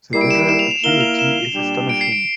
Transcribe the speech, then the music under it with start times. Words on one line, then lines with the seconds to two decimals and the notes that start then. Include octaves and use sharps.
The visual acuity is astonishing.
0.13 G3 A#3 E4 C7
0.21 D7
0.31 E7
0.39 D7
0.49 E7
0.59 F7
0.71 F7
0.83 A#3 E4 A#4 F5 G7
1.01 F7
1.19 E7
1.54 A#2 G3 D4
1.89 D7
2.01 C7
2.12 D7